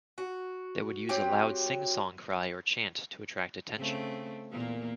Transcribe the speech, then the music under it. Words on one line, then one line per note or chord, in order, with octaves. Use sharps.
They would use a loud sing-song cry or chant to attract attention.
F#4
F#3 C4 G4 G5
C#3 A3 C4
E2 A#2 A#3